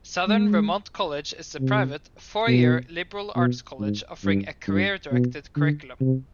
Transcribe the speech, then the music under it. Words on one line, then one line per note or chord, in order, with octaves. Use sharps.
Southern Vermont College is a private, four-year, liberal arts college offering a career-directed curriculum.
G#3
C3
B2
B2
G#2
G2
G2
B2
D3
C3